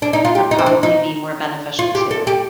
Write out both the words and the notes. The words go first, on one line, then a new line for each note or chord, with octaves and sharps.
would probably be more beneficial too.
D4
D#4
F4
G4
D#4
C4
D4
D#4
F4
G4
A4
G4